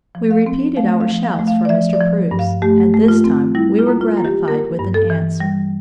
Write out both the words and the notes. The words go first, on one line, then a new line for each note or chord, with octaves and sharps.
We repeated our shouts for Mr. Preuss; and this time we were gratified with an answer.
F3
F5
C4
A3 F5
F5
F3
F5
A3
F5
D5
F3 E5
D5
F3
G2
F5
A3 G4
A3
F4
C4
G3 E4
F4
A#3
F4
A#3
G4
A#3 A#4
G2
A4
E3
G3